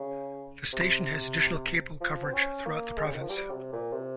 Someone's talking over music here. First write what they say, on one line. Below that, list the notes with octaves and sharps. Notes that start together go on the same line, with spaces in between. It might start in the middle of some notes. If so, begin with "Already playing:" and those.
The station has additional cable coverage throughout the province.
Already playing: C#3
C3
F3
C4
C#4
A#3
G#3
C#3
D#3
F3
G3
C3
A#2
C3